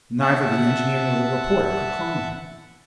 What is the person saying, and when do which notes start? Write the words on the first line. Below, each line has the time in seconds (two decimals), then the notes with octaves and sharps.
Neither the engineer nor the reporter could calm him.
0.21 E5 F#5 A5